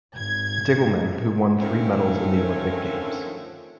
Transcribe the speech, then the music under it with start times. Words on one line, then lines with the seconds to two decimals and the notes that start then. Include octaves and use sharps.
Diggelmann who won three medals in the Olympic Games.
0.15 G#1 G#6
1.61 D3 D#3 F3 A3 C4 C#4